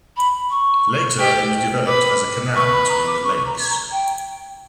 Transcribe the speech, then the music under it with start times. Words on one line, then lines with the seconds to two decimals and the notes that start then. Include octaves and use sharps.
Later it was developed as a canal between the lakes.
0.17 B5
0.50 C#6
1.19 G4
1.86 B4 D6
2.55 B4 C#6
2.72 B5
2.89 A#5
3.07 D6
3.24 C#6
3.46 A#5
3.69 A#5
3.91 G5